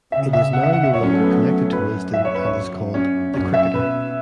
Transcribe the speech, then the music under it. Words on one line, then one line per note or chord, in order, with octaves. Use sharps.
It is now no longer connected to Wisden and is called "The Cricketer".
C#3 E5
E5
F#5
E5
F#5
E5
F#3 C#5
C#4
A3
B3
F#2 B4
E5
C#5
B4
C#5
F#2
C#4
F#2 C#4
E5
B2 B4